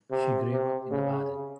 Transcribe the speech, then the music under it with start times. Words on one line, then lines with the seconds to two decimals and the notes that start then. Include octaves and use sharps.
She grew up in Ibadan.
0.11 C3
0.51 C3
0.91 C#3